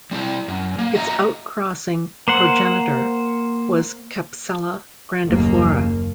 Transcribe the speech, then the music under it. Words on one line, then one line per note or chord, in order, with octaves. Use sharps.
Its outcrossing progenitor was "Capsella grandiflora".
G3 C4 E4
F#2
A#3
F#4 D#5 E5 A#5
A#3 C5 F#5
F#1 D#2 A#3